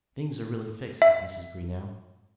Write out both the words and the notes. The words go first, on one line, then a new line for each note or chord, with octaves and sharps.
"Things are really fixed," said Mrs. Greenow.
E5